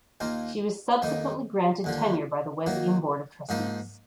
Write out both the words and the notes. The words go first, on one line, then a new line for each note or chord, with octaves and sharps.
She was subsequently granted tenure by the Wesleyan Board of Trustees.
D#2 D#3 A#3 F4
F2 D#3 A#3 D#4
D#2 D3 F3
D#3 F#3 A#3
G#2 F3 A#3 D#4